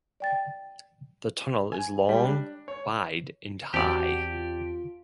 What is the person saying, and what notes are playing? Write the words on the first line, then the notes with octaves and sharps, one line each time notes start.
The tunnel is long, wide, and high.
D5 G5 A6
G#5
G3
D4
C#5
E2 C4 F#4 G4 D5 A5
F4